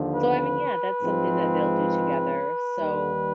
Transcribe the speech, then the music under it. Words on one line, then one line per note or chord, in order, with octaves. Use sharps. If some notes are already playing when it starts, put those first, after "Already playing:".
so I mean, yeah, that's something that they'll do together, so
Already playing: D#2 D3 F3
B4
G#2 F3 G#3 C4
D#2 D#3 G3